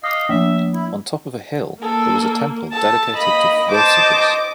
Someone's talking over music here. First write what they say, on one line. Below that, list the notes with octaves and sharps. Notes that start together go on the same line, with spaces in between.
On top of a hill there was a temple dedicated to Vosegus.
D#5 F5 D6 D#6
F3 A#3 E5
E4
A#3 A4
A4 A5
A#3 D#5 B5
C5 D#5 A5 D6